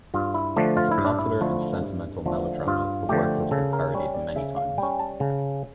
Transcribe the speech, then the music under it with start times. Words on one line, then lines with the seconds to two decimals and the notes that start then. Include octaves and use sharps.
As a popular and sentimental melodrama, the work has been parodied many times.
0.14 G2 F4
0.34 E4
0.56 D3 F3 A3 D4
0.77 F4
0.91 E4
0.98 G2
1.05 D4
1.19 E4
1.41 D3 F3 A3
1.82 G2
2.26 D3 F3 A3
2.67 G2 F4
3.09 D3 F3 A3 G4
3.51 C#3 A4
3.73 A#4
3.94 G3 C#4 C#5
4.15 D5
4.36 C#3 E5
4.57 F5
4.78 G3 C#4 G5
4.99 A5
5.20 C#3